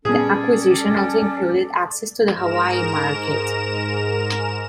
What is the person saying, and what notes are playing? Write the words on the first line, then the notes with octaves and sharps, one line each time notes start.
The acquisition also included access to the Hawaii market.
A#2 G3 B3 C#4 G#4 A4 D5
G#2 A#4 A#5 E7